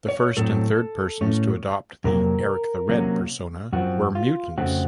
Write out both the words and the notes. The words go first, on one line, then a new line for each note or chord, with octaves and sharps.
The first and third persons to adopt the "Erik the Red" persona were mutants.
C#5
A2 F#3 C4 A4
A2 A3 C#4
F2 C3 F#3 A#3 A#4
C3 F#3 A#3 C#4
F#2 F3 C4 F#4
F4
F2 C#3 A3 C4 F#4